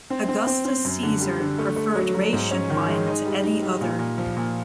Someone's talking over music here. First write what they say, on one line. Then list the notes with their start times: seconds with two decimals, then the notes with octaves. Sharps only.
Augustus Caesar preferred Raetian wine to any other.
0.10 C4
0.29 C4
0.47 C4
0.65 C4
0.85 F#2
1.03 D3
1.21 G3
1.40 D3
1.58 A3
1.76 A3
1.95 F#3
2.15 F#3
2.33 G#2
2.51 C#4
2.70 D#3
2.88 G#3
3.07 D#4
3.26 G3
3.43 D#4
3.62 G3
3.81 A#2
3.99 A#2
4.18 F3
4.37 A#2